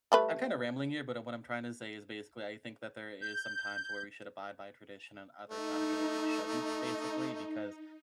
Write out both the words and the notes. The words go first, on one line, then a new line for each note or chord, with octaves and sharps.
I'm, kind of, rambling here, but what I'm trying to say is basically I think that there is some times where we should abide by tradition and other times where we shouldn't basically because
G3 A3 B4
G6
A3 D#4